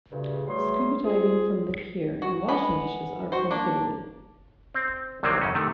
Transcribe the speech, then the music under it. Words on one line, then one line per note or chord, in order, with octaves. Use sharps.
Scuba diving from the pier and washing dishes are prohibited.
D2 G2 A#2 C#3
E3 F#3 G3 A3 G#4 C6
C4 F4 G#4
F#4
G#3 B3 B5
F#4 C5
A#3 D4
C4
C2 C3 D#3 F#3 A#3 C4
F#2 C#3 C#4
C3 D#3 A3